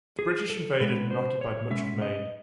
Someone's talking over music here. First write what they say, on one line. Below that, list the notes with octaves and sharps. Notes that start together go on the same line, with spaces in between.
The British invaded and occupied much of Maine.
G#4
A4
B2 G#3 C#4 B4
C5
C#5
B2 G#3 C#4 E5
D#5